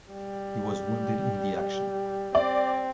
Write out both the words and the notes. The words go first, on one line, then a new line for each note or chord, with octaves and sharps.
He was wounded in the action.
G3
C4 D5